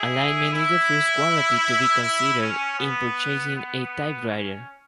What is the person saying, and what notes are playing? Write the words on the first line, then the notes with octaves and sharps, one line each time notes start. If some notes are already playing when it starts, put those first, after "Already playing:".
Alignment is the first quality to be considered in purchasing a typewriter.
Already playing: E4 G#4
E4
E4
C#4
B3
B3
C#4